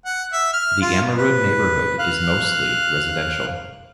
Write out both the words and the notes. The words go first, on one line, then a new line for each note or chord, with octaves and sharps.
The Ammerud neighborhood is mostly residential.
F#5
E5
F6
F4
B4
F5 F#6